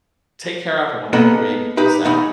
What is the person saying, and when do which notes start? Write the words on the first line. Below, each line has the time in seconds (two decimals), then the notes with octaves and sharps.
Take care, have a wonderful week, peace out.
1.13 A#3 B3 A4 D#5 F#5
1.77 D#4 G4 B4
2.04 E2 D#4 B5